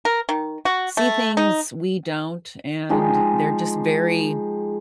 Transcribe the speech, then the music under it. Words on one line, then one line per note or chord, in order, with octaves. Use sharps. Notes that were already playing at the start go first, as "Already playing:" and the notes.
see things we don't, and they're just very
A#4
D#3
F#4
A3
D#4
F3 G#3 D#4 G4